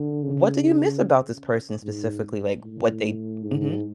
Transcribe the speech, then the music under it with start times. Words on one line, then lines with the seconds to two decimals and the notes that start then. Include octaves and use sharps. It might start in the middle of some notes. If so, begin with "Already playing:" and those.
what do you miss about this person specifically? Like, what they'd mhm.
Already playing: D3
0.23 C#3
1.84 G#2
2.63 A2
3.43 G#2